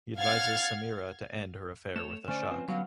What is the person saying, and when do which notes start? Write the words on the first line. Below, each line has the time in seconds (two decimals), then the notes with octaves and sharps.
He advises Sameera to end her affair with Ashok.
0.19 F5 F#5 F6 G#6 A6
1.96 A3 A4 C#5 E7
2.28 D3 A3 C#4 C5 D5
2.50 F3 C4 F4 B4
2.68 D3 F#3 G3 B3 F5